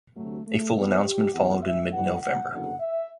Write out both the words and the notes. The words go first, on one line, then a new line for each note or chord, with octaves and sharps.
A full announcement followed in mid November.
D2 C3 F#3 A3
A3
F#2 E3 G3 B3
G4
E2 C3 G3 F#5
E5
G1 G2 E3 G3 F#5
F#5
F#1 E2 D3 F#3 F#5
E5